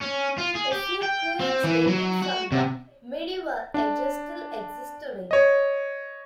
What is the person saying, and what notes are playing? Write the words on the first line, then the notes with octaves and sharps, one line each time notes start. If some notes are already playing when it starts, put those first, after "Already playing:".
A few cruets dating from the Medieval ages still exist today.
C#4
F4
G#4
G4
G5
C4
E3
F#3
F#4
C3
D4
C#5 D#5